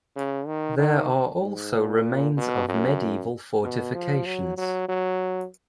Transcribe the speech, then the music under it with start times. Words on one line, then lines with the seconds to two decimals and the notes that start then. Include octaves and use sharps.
There are also remains of medieval fortifications.
0.16 C#3
0.47 D#3
0.79 D#3
1.42 G#2
1.73 A#2
2.37 B2
2.69 F#2
3.63 B2
3.94 F3
4.26 F#3
4.58 F#3
4.89 F#3